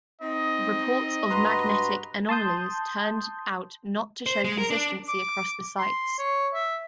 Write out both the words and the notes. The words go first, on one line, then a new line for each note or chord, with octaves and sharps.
Reports of magnetic anomalies turned out not to show consistency across the sites.
C4 D#4 D#5
G2 F#4 B4 A#5 C6
A5 C6 D#6 G6
C5
G#3
A#4
D4
D6
C6
C#5
E5